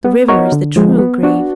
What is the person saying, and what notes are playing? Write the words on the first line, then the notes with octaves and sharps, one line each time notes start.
The river is the true grave.
B3
D#4 F#4 A#4 C#5
D3
F3 G#3
B3
D4 F#4